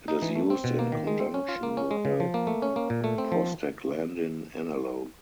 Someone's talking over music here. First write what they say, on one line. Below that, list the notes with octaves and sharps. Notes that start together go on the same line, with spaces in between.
It is used in conjunction with a prostaglandin analogue.
D#4
E3
A3
C4
B2
A#3
D#3
G#3
C4
C#4
F4
A#3
C#4
G#3
C#3
F3
A#3
A3
C#4
A#3
A#2
A3
C4
F3